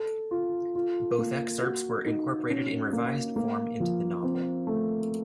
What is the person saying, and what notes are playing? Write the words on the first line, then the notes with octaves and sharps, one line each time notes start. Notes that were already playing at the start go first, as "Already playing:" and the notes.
Both excerpts were incorporated in revised form into the novel.
Already playing: A4
F4
F4
A#3
F#4
D#4
C#4
A#3
A#3
F3
C4
A3